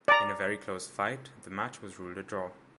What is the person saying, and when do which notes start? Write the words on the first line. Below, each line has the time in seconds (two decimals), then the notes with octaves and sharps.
In a very close fight, the match was ruled a draw.
0.08 D5 A#5